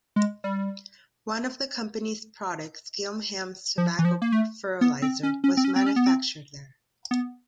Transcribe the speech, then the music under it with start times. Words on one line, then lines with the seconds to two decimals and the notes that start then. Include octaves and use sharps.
One of the company's products, Gilham's Tobacco Fertilizer, was manufactured there.
0.16 G#3
0.44 G3
3.78 F3
3.99 E3
4.05 F3
4.22 A#3
4.32 A3
4.81 B3
5.02 C4
5.23 C#4
5.44 C#4
5.57 C4
5.65 C#4
5.76 C4
5.86 C#4
5.96 B3
6.07 C4
7.11 B3